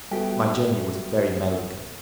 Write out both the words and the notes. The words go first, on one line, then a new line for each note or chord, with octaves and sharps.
My journey was very melancholy.
G3 B3 F#4 A4 E5 G5 B6